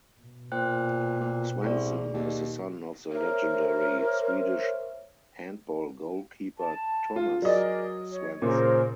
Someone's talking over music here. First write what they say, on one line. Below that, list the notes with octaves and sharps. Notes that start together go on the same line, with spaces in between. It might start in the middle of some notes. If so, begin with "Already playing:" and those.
Svensson is the son of the legendary Swedish handball goalkeeper Tomas Svensson.
B2
A#2 C5 G5 F#6
A#2
C2 G#4 D5
D#2
A#4 C5 C#5 E5
A5
F4
F#3 G#4 A#4 D5 D#5
C#5
A#2 C#3 G#4 A#4 C5